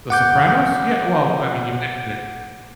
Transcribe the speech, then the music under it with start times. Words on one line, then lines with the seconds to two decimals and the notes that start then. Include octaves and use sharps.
The Sopranos? Yeah, well, I mean, you mentioned it
0.10 F#5 D6 G6